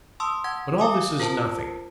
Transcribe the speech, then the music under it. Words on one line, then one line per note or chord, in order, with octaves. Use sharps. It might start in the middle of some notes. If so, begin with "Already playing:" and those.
But all this is nothing.
A5 C6 D#6 E6
F#5 G#6
F5 G#5 D6 D#6
F4 A#4 C5 A5